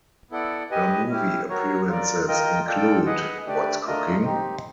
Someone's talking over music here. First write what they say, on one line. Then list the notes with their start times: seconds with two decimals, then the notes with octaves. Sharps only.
Her movie appearances include What's Cooking?
0.31 B3 E4 A4 D5 F#5
0.70 G4 B4 D#5 G#5
1.09 C#4 E4 G4
1.49 F#4 A#4 C#5
1.88 F4 A#4 D5
2.28 F4 A#4 D#5 G5
2.67 F4 A4 D5 G5
3.06 G#4 B4 D#5 F#5
3.46 A3 D4 G4 B4 D5
3.84 A3 D4 F4 A#4 D#5
4.24 C4 D#4 G4